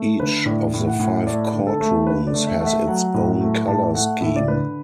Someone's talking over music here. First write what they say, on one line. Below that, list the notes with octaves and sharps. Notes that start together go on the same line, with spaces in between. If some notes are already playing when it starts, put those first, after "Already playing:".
Each of the five court rooms has its own color scheme.
Already playing: A3
D3 B4
A2 D5
A2
F#5
A2
A3 D5
D3
A4
A3
D3 B4
D5
A3
E5
A3 F#5
E5
F#3 F#5
A2
A3
A2 A5
A3 F#5
A2 E5
D5
D3 B4